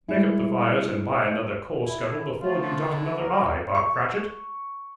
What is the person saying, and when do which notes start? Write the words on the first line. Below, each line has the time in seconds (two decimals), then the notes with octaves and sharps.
Make up the fires and buy another coal-scuttle before you dot another i, Bob Cratchit!'
0.08 G3 G#3 E4
1.85 E4
2.40 F3 A3 F4
2.63 D3
2.95 E4
3.18 A#4
3.75 C#6